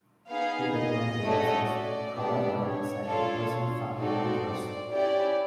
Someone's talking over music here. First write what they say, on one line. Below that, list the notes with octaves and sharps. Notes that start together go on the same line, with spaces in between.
He declined the office, however, citing pressing family matters.
B3 D#4 G#4 F5
D#5
A3 C#4 F#4 A4
D5
B3 D4 G4
C#5
D4 F4 A4
C4 D#4 F#4 A4 D5
C#4 E4 G4 D5